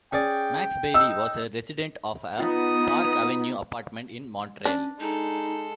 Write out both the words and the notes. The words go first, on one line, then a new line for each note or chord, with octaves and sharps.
Max Bailey, was a resident of a Park Avenue apartment in Montreal.
C#4 G#4 D5 G5
D#4 E6
B3 D#4 F4 D#6 A6
C#4 D4
G#3 D#4 A4